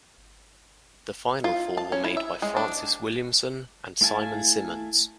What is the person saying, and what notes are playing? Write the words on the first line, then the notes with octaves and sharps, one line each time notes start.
The final four were made by Francis Williamson and Symon Symondes.
F4
A5
C#4
E4
E5
G#3
D4
A3 E4 F5 G#5 A5